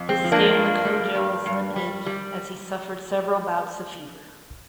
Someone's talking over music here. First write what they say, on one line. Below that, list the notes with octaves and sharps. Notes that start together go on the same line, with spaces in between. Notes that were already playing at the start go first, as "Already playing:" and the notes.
His stay in Lokoja was limited as he suffered several bouts of fever.
Already playing: F2
C4
F3
A#3 D4
G2
G3
G2
G2
G3
G3